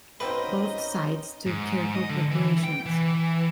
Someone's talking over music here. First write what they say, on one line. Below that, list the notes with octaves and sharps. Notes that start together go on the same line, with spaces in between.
Both sides took careful preparations.
B2 A#3 C4 C#4 D#4 B4 D#5
G#2
D#5
D3
E3
G5
E3